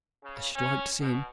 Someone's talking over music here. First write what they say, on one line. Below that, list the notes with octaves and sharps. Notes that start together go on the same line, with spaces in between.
"I should like to see him."
C#3
C#4
B2